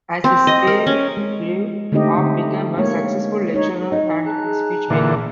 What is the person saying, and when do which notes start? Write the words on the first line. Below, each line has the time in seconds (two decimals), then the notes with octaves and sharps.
As his fame grew, Arp became a successful lecturer and speechmaker.
0.24 C4
0.47 D#5
0.67 A#4
0.87 C#4
1.17 G#3
1.92 D3 A3 C4 D#4 G4 D#5
2.18 D3
2.77 G#3 A#3 C#5
3.54 D#4 C#5
3.92 D#4
4.26 G#4 A5 A#5 F#6
4.90 A#2 D3 E3